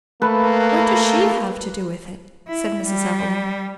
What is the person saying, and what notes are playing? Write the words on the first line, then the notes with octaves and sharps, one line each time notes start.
"What does she have to do with it?" said Mrs. Evelyn.
A3 A#3 B4
E4
G3